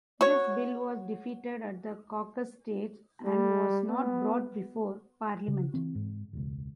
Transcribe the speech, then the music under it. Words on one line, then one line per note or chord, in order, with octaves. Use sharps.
This bill was defeated at the caucus stage and was not brought before Parliament.
F#4 C#5
G3
B3
C#3
E3 C4
G#2
E1 C#2